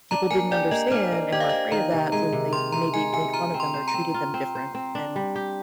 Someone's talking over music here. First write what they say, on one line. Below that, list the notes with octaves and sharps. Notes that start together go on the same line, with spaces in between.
people didn't understand and were afraid of that, so then they maybe made fun of them or treated them different, and
D4 A#5
A#3 G#5
G4 D5
A#3 D#5
D4 C5
A#3
G4 D#5
F5
A#3 D#5
D#3 A#5
C3
G#3 A#5
C3
D#3 C6
C3 A#5
G#3 G#5
C3 G#5
F4 A#5
C4
C6
C5
A#5
C4
F4
C4
C5
C4
D4
G3
G4